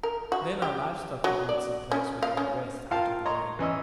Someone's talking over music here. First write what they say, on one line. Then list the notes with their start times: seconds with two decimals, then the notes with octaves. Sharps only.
Then our live stock would need some place where they could rest out of the rain.
0.03 A#4
0.32 F#4
0.62 G4
1.24 F#3
1.49 D5
1.91 C#4
2.23 F5
2.37 C#4
2.91 F4 A#4 F5 G5 A5
3.25 C#5 D#5 A#5 C6
3.59 E3 C#4 D#5 E6